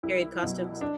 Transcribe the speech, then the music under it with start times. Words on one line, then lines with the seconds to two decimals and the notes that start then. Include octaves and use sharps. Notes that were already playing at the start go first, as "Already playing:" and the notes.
period costumes?
0.03 C2 E4
0.43 B2 F#3
0.81 D4